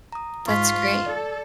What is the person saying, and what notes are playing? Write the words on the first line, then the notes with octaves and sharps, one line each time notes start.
That's great.
A#5 D#6
G#2 F4 C#6 B6
A4 D5